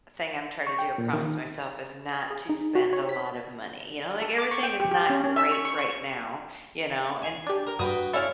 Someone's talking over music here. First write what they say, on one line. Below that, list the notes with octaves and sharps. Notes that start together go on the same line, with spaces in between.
thing I'm trying to do- I promised myself- is not to spend a lot of money, you know? Like, everything is not great right now. You know? And
C#6
G5
A#2
D#3
G#4
D#4
F#4
C#5
B6
A4
D6
C#6
G5
G4
G4
C#4
C#4
E5
C#6
C#6
C#6
G#5
D4 G4
A#4
G2 F#4 B4 G5 D#6
C#4 E4 A4 D5 F5